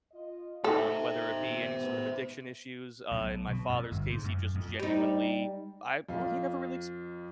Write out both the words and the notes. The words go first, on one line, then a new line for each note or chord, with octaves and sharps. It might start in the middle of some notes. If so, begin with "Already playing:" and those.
Um, whether it be any sorta addiction issues, uh, in my father's case, he just genuinely I well, he never really exp
F4 D#5
D#4 A4 C5 E5
G#2 A3 B3
B1
B2
F2
G1
G#2
F#2
F2
G3 D#4
F2 F3 F5